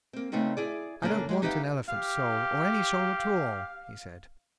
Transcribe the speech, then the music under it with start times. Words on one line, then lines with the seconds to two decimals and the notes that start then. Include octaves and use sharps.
"I don't want an elephant's soul, or any soul at all!" he said.
0.13 A#3 C4
0.32 C#3 A3 B3 C4 D#4
0.57 E4 G#4 D5
1.02 C#3 A#3 C#4 D4 A4
1.29 G#3 F#4 G4
1.42 D#4 G4 B4 C#5 E5 F5
1.88 G4 F5